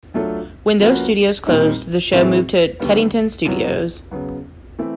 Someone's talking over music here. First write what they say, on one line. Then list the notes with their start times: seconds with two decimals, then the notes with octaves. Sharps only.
When those studios closed the show moved to Teddington Studios.
0.14 F#3 A3 D4 F4 A4
0.80 F3 A#3 C#4 F#4 B4
1.47 A#2 G3 C4 D#4
2.13 A2 E3 G#3 C4 E4
2.80 D#2 D3 G3 B3
3.45 C2 B2 F#3 B3
4.11 C#3 F#3 B3
4.79 E3 A3 C4 E4